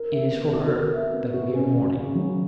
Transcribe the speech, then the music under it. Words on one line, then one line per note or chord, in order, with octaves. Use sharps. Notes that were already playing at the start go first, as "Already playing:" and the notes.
It is for her that we are mourning.
Already playing: A#4
E5
B3
F#4
A#4
E5
B3
F#4
C#4
C#3
C#3
F#3